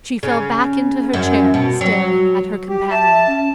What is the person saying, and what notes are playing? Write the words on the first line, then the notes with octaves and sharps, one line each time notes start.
She fell back into her chair, staring at her companion.
C#3
F#2
B2
F#3
G4
E5 A5
C#4